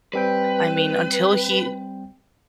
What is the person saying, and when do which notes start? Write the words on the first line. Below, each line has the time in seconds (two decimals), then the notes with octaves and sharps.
I mean, until he,
0.13 G3 C4 B4 G5